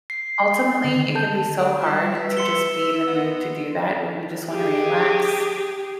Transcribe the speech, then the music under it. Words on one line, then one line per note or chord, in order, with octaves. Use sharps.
ultimately, it can be so hard to just be in the mood to do that when you just wanna relax
C7
D3 D#3
A4 A5 G6
D4
G3 F4 E5
B4
C6 C#7 G7
B3
G4 G#4